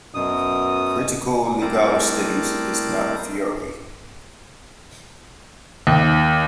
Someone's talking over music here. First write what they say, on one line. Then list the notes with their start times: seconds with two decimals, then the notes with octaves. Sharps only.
Critical legal studies is not a theory.
0.14 F#2 B2 D#6
1.62 G3 A3 C4 E4 A#4 D5
5.87 D#2